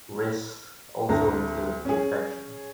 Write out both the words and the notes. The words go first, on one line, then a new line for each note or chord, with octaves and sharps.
Risks also include infection.
D2 A3 C4 A#5
C#4 G#4